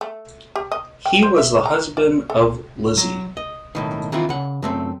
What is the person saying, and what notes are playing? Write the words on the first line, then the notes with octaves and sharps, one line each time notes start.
He was the husband of Lizzie.
A3
G4
D#5
G5
C5
E5
A#5
D5
A4
F#3
D#5
B1 A2 D#3
D#3 E3 C4 E4 F4
C#3 F#5
F#2 A3 C4